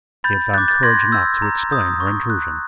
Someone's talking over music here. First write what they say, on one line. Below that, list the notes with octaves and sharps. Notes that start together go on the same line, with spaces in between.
She had found courage enough to explain her intrusion.
B5 G6 A6
D6 F#6 G6 A6
G6 A6
C6 G#6 A#6
E6 G6
A#5
D#6 G6
C#6
F#6